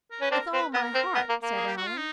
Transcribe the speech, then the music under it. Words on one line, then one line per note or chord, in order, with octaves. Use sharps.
"With all my heart," said Allan.
A#4
C#4 B4
C4 D4 A#4
C4 B4
B3 A#4
C4
B3
A#3
A#3
G#4
G4
F#4
F4
D#4